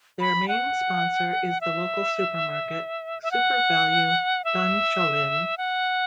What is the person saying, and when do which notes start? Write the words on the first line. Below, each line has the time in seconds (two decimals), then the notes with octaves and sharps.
Their main sponsor is the local supermarket, SuperValu Dunshaughlin.
0.20 B5
0.48 F#5
1.61 E5
3.23 E5
3.31 F#5
4.45 E5
5.58 F#5